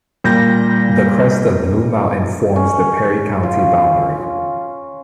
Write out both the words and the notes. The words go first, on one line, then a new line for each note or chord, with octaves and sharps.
The crest of Blue Mountain forms the Perry County boundary.
A#2 G3 G6 A#6
C#4
F4